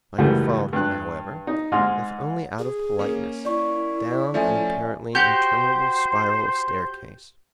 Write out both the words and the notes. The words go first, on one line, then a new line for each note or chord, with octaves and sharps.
Michael followed him, however, if only out of politeness, down an apparently interminable spiral of staircase.
C#2 F#2 E3 G3 A3
G2 F#6
D#4
G#2 G#3 D#5 C6 F6
G#4
A#3 C#4
E4 D5 C#6
F3 A3 C#4 D5 E5 G#5
F#4 G4 C5 G6